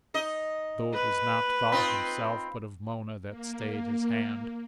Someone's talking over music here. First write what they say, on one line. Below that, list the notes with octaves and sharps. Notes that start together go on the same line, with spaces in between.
Though it was not thought of himself but of Mona that stayed his hand.
D#4 D#5
B4
C4 D#4 F4 B5
A#3